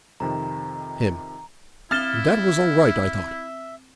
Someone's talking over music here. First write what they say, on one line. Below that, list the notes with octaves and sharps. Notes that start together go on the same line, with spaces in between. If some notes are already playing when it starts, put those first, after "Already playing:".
HIM: That was all right, I thought.
F2 C3 D#3 A#5
C4 E4 E5 F6 A6 E7 G7